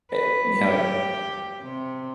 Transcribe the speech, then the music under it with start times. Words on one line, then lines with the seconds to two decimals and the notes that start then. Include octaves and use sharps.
uh, you know, it
0.12 B4
0.64 G4
1.63 C3